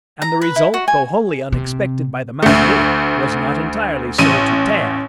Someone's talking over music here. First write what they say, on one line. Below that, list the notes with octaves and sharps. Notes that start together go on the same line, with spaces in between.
And the result, though wholly unexpected by the mountaineer, was not entirely so to Tad.
A#5
B4
E4
F#4
G#5
C3
D2 A3
A1 D#7